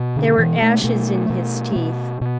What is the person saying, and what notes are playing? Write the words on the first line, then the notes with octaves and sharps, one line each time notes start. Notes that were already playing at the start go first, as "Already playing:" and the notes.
There were ashes in his teeth.
Already playing: B2
D3
B2 E3
A3
B2 A3
B2
B2
B2